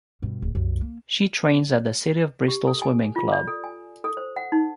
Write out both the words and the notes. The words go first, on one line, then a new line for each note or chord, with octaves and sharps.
She trains at the City of Bristol Swimming Club.
G2 B2
D1
C2 F#2
A#3
G4
A4
G#5
F4
D5
A4
G#5
A4
C5
F#5
D#4